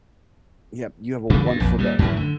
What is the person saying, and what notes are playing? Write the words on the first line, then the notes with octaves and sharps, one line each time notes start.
Yep, you have a wonderful day.
C#3 E3 G3
G2
A#1 F2
A#2 G3
F#2 A2 C#3 E3
D3